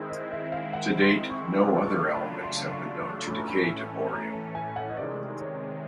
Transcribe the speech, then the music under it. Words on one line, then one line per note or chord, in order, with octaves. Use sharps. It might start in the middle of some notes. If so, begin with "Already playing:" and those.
To date, no other elements have been known to decay to bohrium.
Already playing: D#3 G#3 C4 E4
D#5
E5
F5
F#5
C6
C#6
C#3 F#3 A3 D4 F4 D6
C#6
B5
C6
C#6
C#6
A2 E3 A3 C#4 B5
A#5
B5
A#5
A5
G#5
F#5
D#5
C3 D#3 G#3 D5
C#5